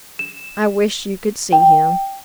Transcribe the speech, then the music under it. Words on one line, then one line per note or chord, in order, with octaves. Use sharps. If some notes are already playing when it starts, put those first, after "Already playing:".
I wish you could see him!
E7
G5